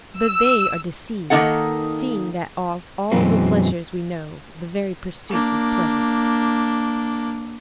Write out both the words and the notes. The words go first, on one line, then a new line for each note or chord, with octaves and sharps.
But they are deceived, seeing that of all the pleasures we know, the very pursuit is pleasant.
E6
D#3 A#3 D#4 A4 F#5
F#2 B2 E3 F#3 G#3 C4
A#3 D4